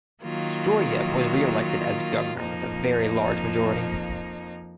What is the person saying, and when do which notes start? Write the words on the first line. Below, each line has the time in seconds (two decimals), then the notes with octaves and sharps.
Stroyev was reelected as governor with a very large majority.
0.22 D#3 F#3 A#3 F4
2.37 F2 F3 A#3 D#4